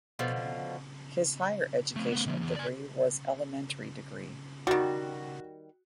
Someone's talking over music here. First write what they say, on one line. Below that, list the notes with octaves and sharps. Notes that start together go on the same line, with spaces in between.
His higher educational degree was elementary degree.
B2 D3 F3
A3 C4
A3 B3
D3 F3
E2
D5 G#5
D#3 G3 F#4